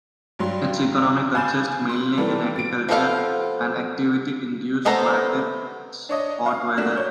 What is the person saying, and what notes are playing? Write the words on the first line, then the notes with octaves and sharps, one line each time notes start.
Its economy consists mainly in agriculture, an activity induced by its hot weather.
G2 F#3 G3 C6
F5 G#5 B5 G6 A6 E7
C6
D#3 E3 G3 A#3 A4 B4
A6 D7
F3 B3 A4 F5
A3 B3 A4 C5 A#5
D4 C#5 D#5
F5
A3 A#3 D4 F#4
C#5 G6